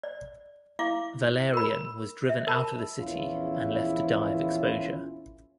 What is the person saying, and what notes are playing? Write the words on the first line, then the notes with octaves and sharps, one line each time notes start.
Valerian was driven out of the city and left to die of exposure.
D5
E4 F5 D6
A#4 B5
E5
A#4 A5 B5
A#1 E2 E3 C#4 E4 F4